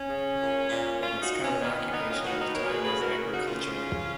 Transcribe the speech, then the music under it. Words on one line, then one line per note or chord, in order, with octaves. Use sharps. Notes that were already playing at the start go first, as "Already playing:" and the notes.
The most common occupation of the time was agriculture.
Already playing: C#4
C#3
A#2
A#2
A#2 C#4 F4
D#4 F#4
A#2
C#4
D#3 B3
C#4
D#3 B3 D#4
C#4 F4
B2 D#4 F#4
B3 D#4
B2 A#4 C#5
G#4 B4
C#3 G#4 B4
F#4 A#4
C#3
D#4 F#4
C#3 C#4 F4
C#3